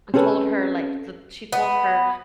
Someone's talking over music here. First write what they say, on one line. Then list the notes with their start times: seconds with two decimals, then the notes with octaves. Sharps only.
uh, told her, like, that she told her,
0.14 C4 C#4 G#4 A4 B4
1.53 B3